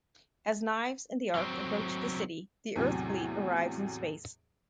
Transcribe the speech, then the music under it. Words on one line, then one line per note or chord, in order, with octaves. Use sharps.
As Knives and the Ark approach the city, the Earth fleet arrives in space.
F#3 C4
E2 A2 C3 F#3